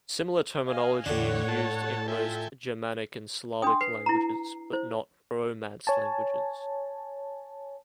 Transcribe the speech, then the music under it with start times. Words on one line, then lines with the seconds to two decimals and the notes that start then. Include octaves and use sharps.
Similar terminology is used in most Germanic and Slavic languages, but not Romance languages.
0.66 D#5 F5 G#5
1.06 E2 A2 D3 D4 C#5 F#5
1.48 A4 A5
2.08 F4 A4 E5 G5 G#5
3.62 D4 G5 G#5 C6 D#6
3.81 B4 C7
4.06 E4 A#5
4.73 E4 C5
5.87 C#5 G#5 A5